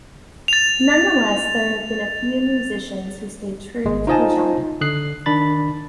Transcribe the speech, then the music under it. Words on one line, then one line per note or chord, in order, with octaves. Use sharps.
Nonetheless, there have been a few musicians who stay true to the genre.
A6 F7
G#1 G#3
D#4 F4 C5 D#5 G#5 A5
D3 D#6 F#6 C7
D#3 D4 B5 A6